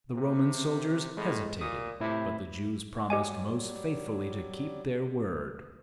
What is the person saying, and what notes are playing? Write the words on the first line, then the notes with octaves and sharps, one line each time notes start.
The Roman soldiers hesitated, but the Jews promised most faithfully to keep their word.
C3
A2 G#3
A#2 D#6
A2 C3 E4
F#3 G3 G4 D5 D#5 G#5